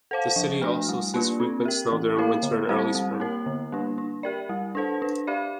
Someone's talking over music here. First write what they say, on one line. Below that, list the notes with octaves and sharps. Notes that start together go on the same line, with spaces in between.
The city also sees frequent snow during winter and early spring.
A4 C5 F5
F3
A3 D4
G3
A#3 D4 F4
C4
G4 A#4
E3
A#3 E4 A#4 F5
D3
G3 C4 G4 C5
G3
A#3 E4 A#4
D3
G3 A#3 D4
D4
G4 A#4 D5
G3
D4 A4 C5
D4
G4 D5 F5